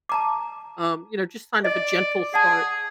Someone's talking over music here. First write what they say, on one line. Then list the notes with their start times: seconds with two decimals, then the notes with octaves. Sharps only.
um, you know, just kind of a gentle start,
0.09 A5 A#5 D6
1.64 D5 D#5
2.34 G#4 F#5 A5